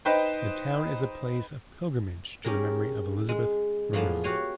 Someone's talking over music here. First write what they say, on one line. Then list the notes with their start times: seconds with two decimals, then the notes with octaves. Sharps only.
The town is a place of pilgrimage to the memory of Elizabeth Romanov.
0.05 D#4 B4 C5 D#5 G5
2.44 C#4 G4 G#4 A#4
3.29 G#3
3.93 A2 F3 A#3 B3 G#4 A5
4.24 F#4 G4 C#5 F5 G#5